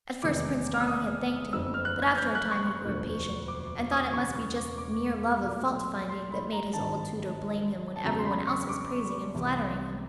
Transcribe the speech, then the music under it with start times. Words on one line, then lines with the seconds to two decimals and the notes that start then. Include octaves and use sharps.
At first Prince Darling had thanked him, but after a time he grew impatient and thought it must be just mere love of fault-finding that made his old tutor blame him when everyone else was praising and flattering him.
0.22 F1 E2 C3 D#3 G#3 D6
0.74 F6
0.81 E6
0.88 D#6
1.53 F#1 F2 D3 E6
1.74 F6
1.85 F#6
2.02 G#6
2.18 G6
2.35 F#6
2.51 C#6
2.67 C#6
2.84 E1 D2 D3 F3 A#3
3.48 D6
3.92 D#6
4.14 E1 E2 C#3 C#6
4.35 C#6
4.56 D6
4.78 D6
5.44 B1 A#2 F#3 A3
6.09 C6
6.31 B5
6.52 A#5
6.73 G#1 G2 D#3 A5
7.96 A5
8.04 E2 C#3 F#3 A#5
8.19 C6
8.25 B5
8.47 C#6
8.69 D6
9.34 C2 C3 E3